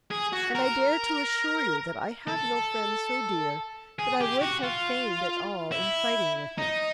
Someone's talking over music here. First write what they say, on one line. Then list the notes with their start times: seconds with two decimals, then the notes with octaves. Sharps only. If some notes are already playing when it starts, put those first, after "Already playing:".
And I dare to assure you that I have no friend so dear that I would have feigned at all in fighting with him.
0.11 G#4
0.33 F#4
0.55 A#4
2.27 A4
3.99 G#4
4.21 G4
4.42 F#4
4.63 F4
5.72 E4
6.58 D#4